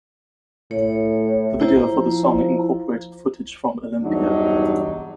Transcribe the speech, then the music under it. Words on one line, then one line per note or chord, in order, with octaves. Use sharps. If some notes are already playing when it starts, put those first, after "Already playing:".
The video for the song incorporated footage from Olympia.
A2 C#5
E4 C5 A#5
F3
E2 G2 C3 F#3 D4 D#4